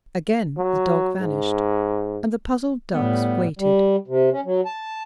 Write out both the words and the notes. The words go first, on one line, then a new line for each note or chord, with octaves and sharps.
Again the dog vanished, and the puzzled ducks waited.
F#3
G#2
A2 G3 B3
G3
C3
C#4
F#3
A5